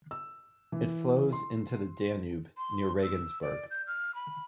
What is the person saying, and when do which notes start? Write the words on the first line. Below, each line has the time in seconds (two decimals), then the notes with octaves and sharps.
It flows into the Danube near Regensburg.
0.11 E6
0.72 E3
1.33 C6
2.58 C6
3.02 E6
3.41 D5
3.71 G6
3.87 F6
4.15 B5